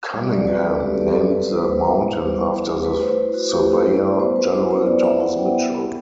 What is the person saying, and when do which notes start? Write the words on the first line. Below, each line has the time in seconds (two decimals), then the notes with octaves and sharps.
Cunningham named the mountain after the Surveyor-General, Thomas Mitchell.
0.13 G3 E5
0.31 D5
0.47 C4 F#4 B4
0.65 A4
0.80 G3 G4
0.98 G4
1.14 C4 F#4 A4
1.31 B4
1.48 G3 C5
1.57 B4
1.65 C5
1.83 B3 E4
2.16 G3
2.50 B3 E4
2.84 A3 B4
3.01 C5
3.18 E4
3.34 F#4
3.51 A3 G4
3.74 B4
3.86 E4
3.97 D5
4.19 B3 C5
4.36 B4
4.53 E4 C5
4.71 C5
4.87 B3 D5
5.04 E5
5.20 E4 F#5
5.37 G5
5.54 B3